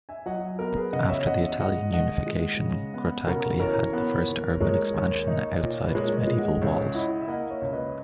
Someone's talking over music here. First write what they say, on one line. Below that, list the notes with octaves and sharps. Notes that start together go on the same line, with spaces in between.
After the Italian unification Grottaglie had the first urban expansion outside its Medieval walls.
E5 G#5
F#3 D#5 F#5
B3 F#4 A#4
G#4 B4
C#3 D#5 F#5
C#5 E5
E2 D#5 F#5
G#3 D#5 F#5
D#3 D#5 F#5
G#3
C#3
B3
C#3 F#4 A#4
E3 A#4 C#5
B3
D#2
G#3 A#4 C#5
D#2
D#4
A#2
B4
G#3 A#4 C#5
C#5
B4 D#5
G#3
D#5 F#5
C#2 C#5 E5
E4 D#5 F#5
E5
A#3 D#5 F#5
C#5 E5
C#2
B4 D#5